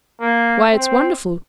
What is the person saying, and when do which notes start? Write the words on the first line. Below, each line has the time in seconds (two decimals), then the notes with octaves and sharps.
Why, it's wonderful!
0.21 A#3
0.72 C4